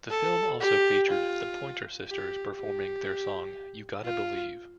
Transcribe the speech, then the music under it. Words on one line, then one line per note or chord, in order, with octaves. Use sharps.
The film also featured The Pointer Sisters performing their song "You Gotta Believe".
A4
G4
F4
G4
G4
F4